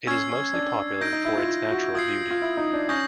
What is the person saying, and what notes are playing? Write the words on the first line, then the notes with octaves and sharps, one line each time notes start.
It is mostly popular for its natural beauty.
C#4 E6 G#6 C7
C#4
D4
D#4 G6 A#6 D7
D#4
E4
F4
F4
F#4
F4 D#6 G#6 C7
F4
E4
D#4
D4
C#4 D#6 G6 A#6